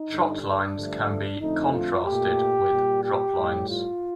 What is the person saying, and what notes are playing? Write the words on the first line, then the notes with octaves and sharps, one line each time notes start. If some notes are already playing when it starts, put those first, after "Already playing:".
Trotlines can be contrasted with droplines.
Already playing: D#4
G2 D3 G3
D4
G2 D3 F3 A3
F2 D3 A3 D#4
F4
A#2 A3 G4
A#2 G3
G4
A2 G3
F4